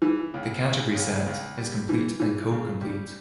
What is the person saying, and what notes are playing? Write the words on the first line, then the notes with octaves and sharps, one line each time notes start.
The category Set is complete and co-complete.
E3
C#2
C#2
C#2
C#2
G3
E3
E3
C#3
G3